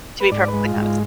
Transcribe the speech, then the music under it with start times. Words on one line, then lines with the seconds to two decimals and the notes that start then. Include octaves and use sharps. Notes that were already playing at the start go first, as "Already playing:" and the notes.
to be perfectly honest.
0.20 B4
0.31 G#2 D5
0.48 B4
0.54 G#3
0.65 F4
0.76 G#2
0.81 F4